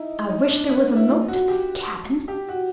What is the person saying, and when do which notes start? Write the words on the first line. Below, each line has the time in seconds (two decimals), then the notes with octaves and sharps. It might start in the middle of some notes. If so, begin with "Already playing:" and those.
I wish there was a moat to this cabin.
Already playing: D#4 E4
0.29 D#4
0.49 D4
0.69 B3
0.96 E4
1.08 F4
1.28 F#4
1.49 G4
2.28 G4
2.49 F#4